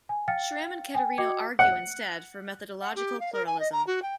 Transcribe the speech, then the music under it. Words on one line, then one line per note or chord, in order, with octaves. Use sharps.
Schram and Caterino argue instead for methodological pluralism.
G#5
F5 G5 F6 A6 C#7
G5 G#5
F#4 D#5 G5 D6 G#6 C#7
F#5
F#5
G4
F5
A#4
G#5
D#5
A#5
F#4
G5